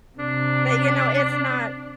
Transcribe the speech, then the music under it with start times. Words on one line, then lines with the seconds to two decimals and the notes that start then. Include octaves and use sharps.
but, you know, it's not
0.19 C3 D4